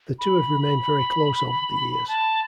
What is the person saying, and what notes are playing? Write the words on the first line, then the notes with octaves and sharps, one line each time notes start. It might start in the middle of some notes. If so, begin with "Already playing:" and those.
The two have remained very close over the years.
B5
A5